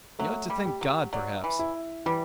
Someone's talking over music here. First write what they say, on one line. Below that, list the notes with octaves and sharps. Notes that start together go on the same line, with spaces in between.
You ought to thank God, perhaps.
F#3 A3
G3
G4
F#3
F#3 D5
E3
E4
E3 G3